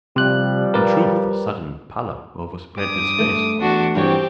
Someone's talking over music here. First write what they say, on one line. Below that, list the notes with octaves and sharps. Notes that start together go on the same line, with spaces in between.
In truth, a sudden pallor overspread his face.
C3 F3 G3 F#6
A#4 B4 D5
G2 D6 D#6
A3
E2 D4 F#4
G2 E3 C4 G4 C#5